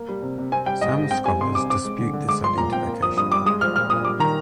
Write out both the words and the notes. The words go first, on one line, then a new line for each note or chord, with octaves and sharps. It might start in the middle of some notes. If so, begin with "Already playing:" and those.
Some scholars dispute this identification.
Already playing: A#3
G3
C3
C3
C4 G#5
G3 G5
G#2 D#5
G#2
C4 G5
G3 G#5
C3 C6
C3 D6
C4 D6
G#3
D3
D3
G#3 D6
F3 C6
A#2 A#5
C4 G5
A#3
F3 D#6
G2 D#6
G2 D6
G#3 D#6
F3 F6
A#2 F6
A#2 D#6
G3 D6
D#3 A#5